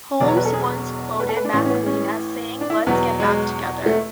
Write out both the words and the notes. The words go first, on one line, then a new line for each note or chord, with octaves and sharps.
Holmes once quoted MacLean as saying, Let's get back together.
E1 E2 B2 F#3 D5
C#5
B4
A4
G#4
B4
A4
B4
D4
A1 A2 E3 C#4
C#4
B3
C#4
D4
E4
E2 B2 F#3 B3
G#3
A3